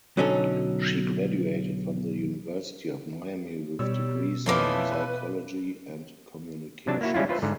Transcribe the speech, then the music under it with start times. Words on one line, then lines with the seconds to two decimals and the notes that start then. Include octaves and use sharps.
She graduated from the University of Miami with degrees in psychology and communications.
0.17 B1 D3 F#3 C#4 D#4 A4
3.79 B2 G3 C#5 E6
4.46 F2 E3 A3 C#4 F4 D#5 D6
4.92 B4
6.87 C3 F#3 D4 A5
7.01 A#3 E4 F#4
7.14 G3 G#3 C#4 E4 F4
7.29 F4 B4 C5 E5
7.42 G#2 D3